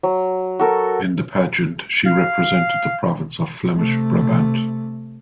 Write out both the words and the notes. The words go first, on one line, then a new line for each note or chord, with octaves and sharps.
In the pageant she represented the province of Flemish Brabant.
F#3
F#4 A4 A#4
F5
C3 A3